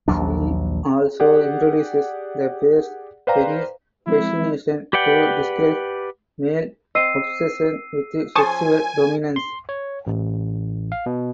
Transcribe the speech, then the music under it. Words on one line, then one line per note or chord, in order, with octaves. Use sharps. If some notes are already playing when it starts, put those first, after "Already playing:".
She also introduces the phrase "penis fascination" to describe male obsession with sexual dominance.
A#1 D#2 F#3 D4
G4 G#4 D5 F#5
B4 C5 D5 F5 G5 A#5
F3 G#3 C4 E4
G4 B4 D5 F#5 G5
C4 D#5 E6 C7 D#7
F3 C#4 C5 G#5 A5 C#6 D#6
C6
C#5
A1
F5
B2